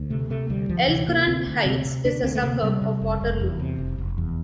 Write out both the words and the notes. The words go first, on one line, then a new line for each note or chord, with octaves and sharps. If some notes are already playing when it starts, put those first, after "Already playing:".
Elk Run Heights is a suburb of Waterloo.
Already playing: D2
C3 A3
C3 A3
D2 G3
D2 F3
C3 E3
C3 A#3
D2 C4
D2
C3 C4
C3
D2 D4
D2 C4
A3
C3 A#3
C3 G3
C3
F1
F1
E2
C3
F1
F1
E2